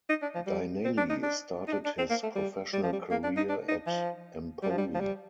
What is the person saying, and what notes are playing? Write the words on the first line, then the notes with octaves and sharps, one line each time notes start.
Dainelli started his professional career at Empoli.
D#4
D4
F3
G3
C4
D4
D#4
D4
D#4
D4
D4
C4
A#3
A3
G3
G3
F3
G3
A#3
D4
D#4
D4
D#4
F3
G3
F3
G3
F3
G3